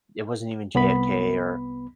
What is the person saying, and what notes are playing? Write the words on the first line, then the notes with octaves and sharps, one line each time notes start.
it wasn't even JFK or
C2 B3 B5